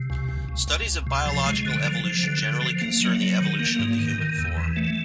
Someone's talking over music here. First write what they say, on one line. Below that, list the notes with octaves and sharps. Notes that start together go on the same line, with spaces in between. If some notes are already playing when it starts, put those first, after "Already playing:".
Studies of biological evolution generally concern the evolution of the human form.
Already playing: C3
C#2
C#2
C#2
C#2
C#2
C3
F3
G#3
D3
F3
F3
D3
D3
F3
A#3
F#3
F#3
D#3
A#3
G#2
D#3
D#3
E2
E3
A3